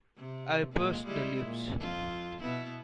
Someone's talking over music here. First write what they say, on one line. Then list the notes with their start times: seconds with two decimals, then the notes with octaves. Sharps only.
I pursed the lips.
0.17 C3
0.73 A#2 G#3
1.05 G3 G#3 E4
1.44 A#2
1.80 F2 F4
2.41 B2 B3 E4